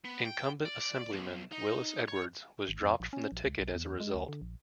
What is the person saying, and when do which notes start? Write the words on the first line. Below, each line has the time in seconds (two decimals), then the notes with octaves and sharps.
Incumbent Assemblyman Willis Edwards was dropped from the ticket as a result.
0.05 B3
0.25 G5
0.65 D5
1.11 B1
1.51 D#4
2.08 C#5
2.69 G#1
2.82 F2
3.00 A#1
3.13 C#4
3.32 A#1
3.45 C#2
3.59 B1
3.75 E2
4.00 G#3
4.14 D2
4.29 D3
4.42 A#1